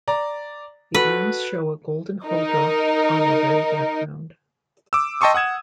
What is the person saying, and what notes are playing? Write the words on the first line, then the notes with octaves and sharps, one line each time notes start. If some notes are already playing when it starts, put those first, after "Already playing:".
The arms show a golden huldra on a red background.
D5 A#5
F#4 A4 B4
D#4 A#4
D6 E6
D#5 G5 A5 C6 C#6 D#6
F#5 D#6 G#6 E7